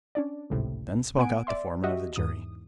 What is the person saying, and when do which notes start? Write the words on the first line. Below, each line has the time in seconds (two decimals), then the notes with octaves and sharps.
Then spoke out the foreman of the jury.
0.15 C#4 D4 D5
0.50 G#1 C#2 A2 C3
1.18 B3 F#5 G#5 D7
1.47 D5 E5 C6
1.84 F#4 G4 D#5 E5
2.16 E2 G#2 D#6